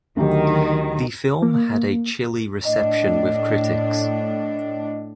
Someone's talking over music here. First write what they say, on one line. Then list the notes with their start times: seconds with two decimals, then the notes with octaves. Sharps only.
The film had a chilly reception with critics.
0.17 D2 D#3 F#3 G4
1.42 A#3
2.65 A2 D4 D#5